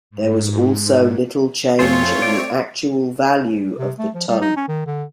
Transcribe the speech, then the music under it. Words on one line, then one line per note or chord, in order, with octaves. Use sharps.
There was also little change in the actual value of the tun.
G#2
F2 A3 C4 F4 G#4 C5 C#5
D5
C3
A3
F3
G3
D#4
C#4
D#3
D3